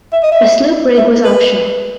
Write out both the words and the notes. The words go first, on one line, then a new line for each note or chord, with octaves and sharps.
A sloop rig was optional.
E5
D#5
E5
E5
B4